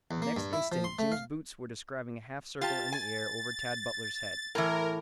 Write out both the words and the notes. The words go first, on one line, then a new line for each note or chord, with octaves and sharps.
The next instant Jim's boots were describing a half circle in the air over Tad Butler's head.
E2
A#3
G2
E4
F3
C6
A3
F5
F4 G4 A5 A6
G#5
A2 E3 A#4